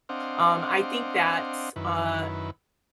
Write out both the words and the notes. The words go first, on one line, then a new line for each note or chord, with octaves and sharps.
Um, I think that's uh,
C4 D4 C5 D#5 F5 F#5
F#2 D#3 E4 B4